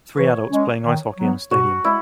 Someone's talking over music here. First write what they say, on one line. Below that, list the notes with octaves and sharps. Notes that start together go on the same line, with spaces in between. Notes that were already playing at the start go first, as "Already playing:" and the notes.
Three adults playing ice hockey in a stadium.
E3 C#5
G#3 C#4
D#3
F#3 B3
B2 F#4
G#3 E4